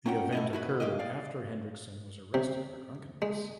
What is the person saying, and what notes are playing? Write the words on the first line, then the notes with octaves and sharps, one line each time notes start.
The event occurred after Henriksson was arrested for drunkenness.
A#3 C#4 F#5 G5
A3 E4 D#5
E4 F#4 B4
G2 A#3 G4 D#5
D5 F5
C3
G#3